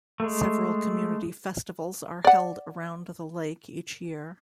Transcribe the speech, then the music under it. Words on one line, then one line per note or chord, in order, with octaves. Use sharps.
Several community festivals are held around the lake each year.
G#3 A3
D5 F#5